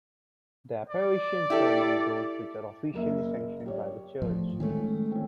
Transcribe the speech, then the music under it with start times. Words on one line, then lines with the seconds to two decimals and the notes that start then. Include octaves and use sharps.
The apparitions are among those which are officially sanctioned by the Church.
0.89 D5
1.50 E4 G4 A4
2.94 F#1 A#3 E5
3.66 G4 C#5 D5
4.22 A2 F3
4.60 D#3 G#3 A3 C#4
5.12 C4 C#4